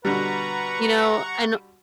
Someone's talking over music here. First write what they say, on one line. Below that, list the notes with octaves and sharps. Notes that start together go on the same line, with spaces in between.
you know, and
B2 D3 G3 B4 F#5 A#5 C#6